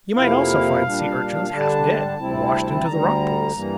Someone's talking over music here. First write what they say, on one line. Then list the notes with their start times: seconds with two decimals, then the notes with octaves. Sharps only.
You might also find Sea-urchins half-dead, washed into the rock-pools.
0.15 F2 C3 F3 A#3 E4 F5
0.83 A#2 G3 D4
1.50 D3 G3 D4 A5
2.18 D2 C3 G3 C4 E4
2.85 D2 D3 G3 A#5
3.53 G2 E3 G3 A#3